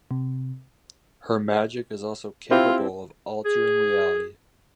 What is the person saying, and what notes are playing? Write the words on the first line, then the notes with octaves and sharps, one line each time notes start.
Her magic is also capable of altering reality.
C3
C4 E4 F4 G4
G#4